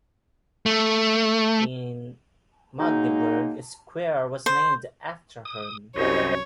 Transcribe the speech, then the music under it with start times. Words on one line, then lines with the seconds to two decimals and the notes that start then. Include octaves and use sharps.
In Magdeburg a square was named after him.
0.66 A3
2.79 F#3 G#3 A#3 D#4
4.46 C5
5.45 D#6
5.96 C2 F#2 C5 C#5 D#5